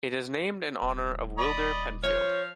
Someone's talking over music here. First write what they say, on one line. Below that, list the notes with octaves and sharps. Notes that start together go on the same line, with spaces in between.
It is named in honour of Wilder Penfield.
D#1
D5 D#5 B5
F3 C#5 F6